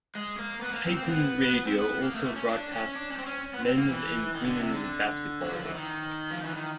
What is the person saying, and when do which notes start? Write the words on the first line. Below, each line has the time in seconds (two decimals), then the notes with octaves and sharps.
Titan Radio also broadcasts men's and women's basketball.
0.15 G#3
0.39 A#3
0.62 B3
0.73 A#3
0.85 C4
0.97 C4
1.03 A#3
1.09 B3
1.55 B3
1.66 C4
1.78 B3
2.01 A#3
2.14 A3
2.19 A#3
2.25 A3
2.36 C#4
2.48 D4
2.71 C#4
2.96 D4
3.10 C#4
3.18 C4
3.26 C#4
3.54 B3
3.65 C4
3.77 A#3
3.88 E3
4.35 D#3
4.46 D3
4.58 C3
4.70 D3
5.41 F#3
5.52 F3
5.64 E3
5.75 D#3
6.31 F3
6.44 E3
6.56 D#3